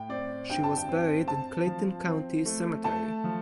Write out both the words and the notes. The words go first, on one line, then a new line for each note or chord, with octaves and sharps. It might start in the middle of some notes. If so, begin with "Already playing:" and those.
She was buried in Clayton County Cemetery.
Already playing: A2 G5
C4 D5
G2 G5
A5
G5
C4
C4 A5
F3
C4
A3
A3 A5
F3